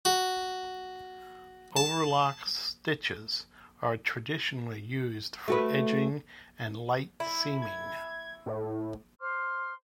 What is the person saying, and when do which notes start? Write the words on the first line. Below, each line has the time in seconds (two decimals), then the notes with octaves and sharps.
Overlock stitches are traditionally used for edging and light seaming.
0.05 F#4
1.76 A5
5.48 A3 F#4 B4
7.20 E4
7.62 G#6
8.46 A2
9.20 C5 C6 D6 F6